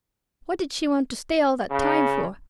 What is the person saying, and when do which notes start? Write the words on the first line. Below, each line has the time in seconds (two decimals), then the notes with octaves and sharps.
What did she want to stay all that time for?
1.69 C#3